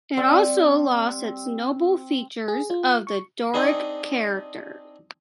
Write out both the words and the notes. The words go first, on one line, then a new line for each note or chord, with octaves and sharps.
It also lost its "noble features of the Doric character".
G3 C4
G#4
F4
C#6
C4 D4 D#4 G#4